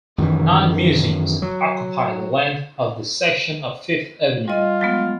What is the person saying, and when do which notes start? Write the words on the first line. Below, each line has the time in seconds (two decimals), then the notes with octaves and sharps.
Nine museums occupy the length of this section of Fifth Avenue.
0.18 F#2 D#3 E3
1.42 F#3
4.48 G3 F4 D#5
4.81 F#3 G#3 B3